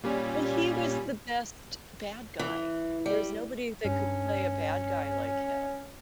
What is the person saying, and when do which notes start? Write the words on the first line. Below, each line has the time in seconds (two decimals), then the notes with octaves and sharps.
Well, he was the best bad guy, there's nobody that could play a bad guy like him,
0.04 A#2 G3 C#4
2.39 E3
3.06 G3
3.85 G2 C#4